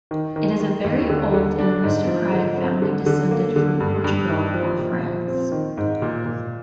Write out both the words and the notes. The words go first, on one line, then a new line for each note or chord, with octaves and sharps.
It is a very old and aristocratic family descended from Portugal or France.
D#3
D#3
D#3
D#2
D3
D3
D4
G#2
F3
D3
C4
D3
D3
A#3
D3
G2
G2
D#3
F3
A#2
F3
C4
D#3
G#2
A#2
A#2